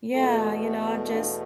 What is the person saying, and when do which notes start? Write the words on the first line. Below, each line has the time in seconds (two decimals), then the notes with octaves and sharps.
Yeah, you know, I just
0.14 E2 B2 A3 F4 A4
1.09 D4 F4